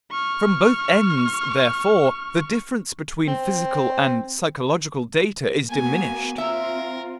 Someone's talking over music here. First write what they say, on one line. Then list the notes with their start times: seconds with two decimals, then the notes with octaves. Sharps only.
From both ends, therefore, the difference between physical and psychological data is diminished.
0.11 C#6 F6
3.28 C4
5.69 A#3 B3 F#4 G#5
6.38 C4 F4 A#4 E5